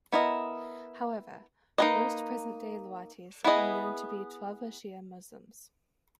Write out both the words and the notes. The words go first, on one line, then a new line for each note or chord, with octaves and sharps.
However, most present-day Lawatis are known to be Twelver Shia Muslims.
B3 E4 A#4 D#5
A#3 D#4 G#4 B4 D#5
B3 E4 G#4 D#5